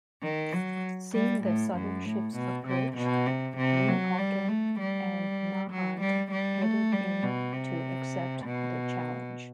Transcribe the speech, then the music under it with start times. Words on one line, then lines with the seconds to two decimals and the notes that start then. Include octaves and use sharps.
Seeing the Southern ships approach, "Weehawken" and "Nahant" headed in to accept the challenge.
0.23 D#3
0.53 F#3
1.14 G3
1.44 A2
1.75 F#2
2.05 A2
2.36 B2
2.67 C3
2.97 B2
3.27 C3
3.57 C3
3.88 F#3
4.18 G3
4.48 A3
4.80 G3
5.71 F#3
6.01 G3
6.32 G3
6.62 A3
6.92 G3
7.23 B2
7.53 C3
8.45 B2